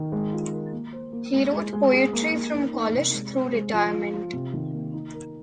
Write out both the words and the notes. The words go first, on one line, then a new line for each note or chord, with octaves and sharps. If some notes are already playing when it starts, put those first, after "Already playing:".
He wrote poetry from college through retirement.
Already playing: D#3
G#3
F4
A#4
A#3
C5
A#3
G#3
G#3
G#3
G#4
A#3
A#3
D#4
D#4
C3
G#3
C5
G#3
F3
F4
F4
C3
D#3
A#3
D#4
A#4